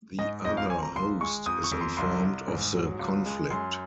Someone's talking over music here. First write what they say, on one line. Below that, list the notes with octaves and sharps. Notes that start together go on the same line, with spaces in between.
The other host is informed of the conflict.
G#2 D#5
F2 D#5
F5
F2 G#5
A#5
C#2 C6
G#3 C#6
F2 D#6
C#6
F2
C6
C2 C6
C2
G#2
F#3
C#2
G#3
F#2 C6